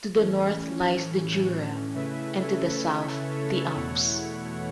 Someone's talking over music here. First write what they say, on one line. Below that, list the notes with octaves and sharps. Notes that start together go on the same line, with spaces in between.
To the north lies the Jura and to the south the Alps.
A2 E3 C#4
C#3 A3 C#4 E4 B4 E5
A4 C#5
A4 C#5
E2 B2 A3 E4 C#5 F#5